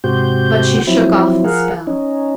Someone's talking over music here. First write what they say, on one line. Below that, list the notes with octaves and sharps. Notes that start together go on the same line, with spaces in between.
But she shook off the spell.
G#2 C3 F#4 G4 C5 G6
F3 F#3 C4 E4
F3 G#4 A#4 F5 F#5
C#4 D#4